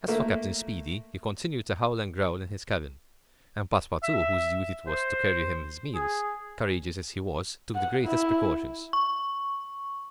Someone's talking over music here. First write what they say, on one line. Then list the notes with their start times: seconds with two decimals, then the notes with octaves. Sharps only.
As for Captain Speedy, he continued to howl and growl in his cabin; and Passepartout, whose duty it was to carry him his meals, courageous as he was, took the greatest precautions.
0.08 A3 A#3 E5
4.03 E5
4.87 C5
5.94 G#4
7.75 F#5
8.05 E4
8.93 C#6